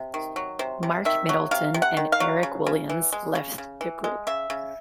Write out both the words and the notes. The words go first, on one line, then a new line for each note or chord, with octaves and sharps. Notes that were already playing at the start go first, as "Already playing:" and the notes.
Mark Middleton and Eric Williams left the group.
Already playing: C3
D#3
F#3
C3 C5
C3
D#3 E5
F#3
C3 F5
C3
F#5
D#3
F5
F#3
C#3
C#3
E3
G#3
C#3
C#3
E3
G#3
C#3 E5
C#3